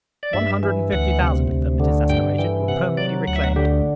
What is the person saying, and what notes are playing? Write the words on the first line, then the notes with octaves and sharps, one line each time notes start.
One hundred and fifty thousand of them, it is estimated, were permanently reclaimed.
D5
G2 E5
E3
D2 F#5
C3
D2
D3
G2 G5
E3 G5
C3 F#5
F#3 D5
D2 F#5
E5
F#5
D3 G4